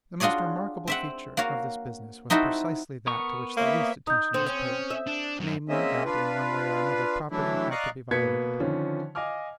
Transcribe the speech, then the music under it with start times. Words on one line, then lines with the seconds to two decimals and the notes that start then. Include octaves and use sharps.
The most remarkable feature of this business was precisely that to which the least attention was paid; namely, that, in one way or another, property had to be violated.
0.20 D4 F4 F#4 G#4 C#5 D5
0.88 C4 E5 F#5
1.37 A#3 F#4 C#5 F5
2.30 C4 D#4 E4 F#4 A4
3.07 B3 A#4 C#6
3.57 A#3 B4 C#5 E5
4.07 D#4 D#6 G6
4.34 D3 C4
4.46 C4 C#4
4.90 E5
5.07 D4
5.40 F#2
5.69 G#3 A#3 C4 C#4 D#5 E5
6.05 D4 F4 B4
7.31 E3 F#3 A3 D4 E4
7.71 D5 D#5 F5 A#5 C#6 F#6
8.11 B2 A#3 B3 G#6 B6 C#7
8.60 D3 D#3 F3 C#4
9.15 D#5 F5 G#5 D6 F6